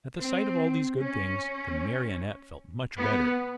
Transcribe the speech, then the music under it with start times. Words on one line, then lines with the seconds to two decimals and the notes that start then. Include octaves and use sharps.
At the sight of all these good things, the Marionette felt much better.
0.19 C4
0.98 C#4
2.98 B3